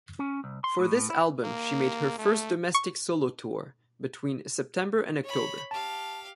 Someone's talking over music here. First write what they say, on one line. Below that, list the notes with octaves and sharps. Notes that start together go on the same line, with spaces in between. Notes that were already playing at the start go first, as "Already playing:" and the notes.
For this album she made her first domestic solo tour between September and October.
C#4
C2
C6
A2
A2
E4
A#3
A3
C#6
C#5 B5
G4 F5 A5